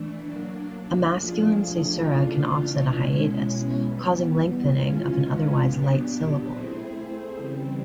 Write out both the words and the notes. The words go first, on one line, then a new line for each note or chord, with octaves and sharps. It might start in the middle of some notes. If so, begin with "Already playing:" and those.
A masculine caesura can offset a hiatus, causing lengthening of an otherwise light syllable.
Already playing: E3 A3 D4
F#3 A#3 D4
F3 A3 D4 F4 G#4
C#3 E3 A3 D4 F4
B2 G#3 C#4 E4
E3 G3 B3
E3 G#3 C#4 F4
A#2 F#3 B3 D4 G4
A3 C4 E4 G#4 C5
C#3 E3 G3 C4